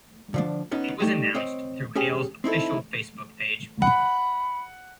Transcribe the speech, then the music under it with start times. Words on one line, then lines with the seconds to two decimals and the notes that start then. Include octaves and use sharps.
It was announced through Hale's official Facebook page.
0.34 D3 F3 D4
0.71 B3 C#4 D#4
1.00 G3 A3 D#4
1.34 C4 C#5 D#5
1.95 C#4 G4 G#4
2.44 C4 D#4 E4 A4
3.82 F#5 B5